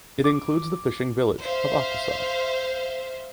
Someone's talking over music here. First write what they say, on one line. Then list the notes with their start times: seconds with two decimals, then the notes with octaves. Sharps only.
It includes the fishing village of Aftissat.
0.24 D6
1.40 C5 E5 F5